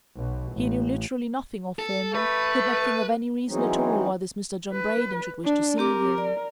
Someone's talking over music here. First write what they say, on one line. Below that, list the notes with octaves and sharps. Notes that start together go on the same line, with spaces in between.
He knew literally nothing of him--could not think of any reason at all why this Mr. John Braden should wish to see him.
B1 B2
A1
A4
A3 B4
E3 F#3 G#3 C4 C#4 D#4
B4
D4
C4 G4 A#4 D6
D5